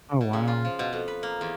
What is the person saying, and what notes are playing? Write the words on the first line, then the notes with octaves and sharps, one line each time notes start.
Oh, wow.
B2
C#3
F4
F3
B2
F2
B4
A#3
E2